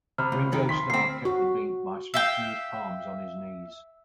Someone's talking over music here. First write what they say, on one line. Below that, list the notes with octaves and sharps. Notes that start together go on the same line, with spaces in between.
Ringo Starr kept the beat by smacking his palms on his knees.
C3 B5 F6
C#2
F2 D#3
C6 B6
D2 C4 C7
F#4
E5 F5 G5